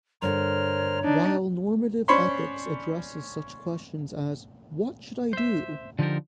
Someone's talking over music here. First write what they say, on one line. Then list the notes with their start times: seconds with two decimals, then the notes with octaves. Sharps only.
While normative ethics addresses such questions as What should I do?
0.22 G2 D3 A4 A#4 C5 C#5 F6
1.04 D4 D#4
2.08 C#4 D4 C5 C#5 B5 C6
5.33 C5 E5
5.99 D3 F3 D#4 G4 A4 A#4